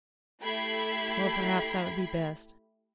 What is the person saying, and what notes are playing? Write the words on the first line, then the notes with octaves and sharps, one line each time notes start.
Well, perhaps that would be best.
A3 E4 G4 B5 G#6 C7